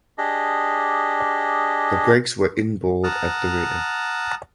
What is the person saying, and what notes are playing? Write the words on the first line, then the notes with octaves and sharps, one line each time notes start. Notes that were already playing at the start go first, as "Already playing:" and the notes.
The brakes were inboard at the rear.
D4 G4 G#4 D#5
F#5 A5 A#5 D#6 F6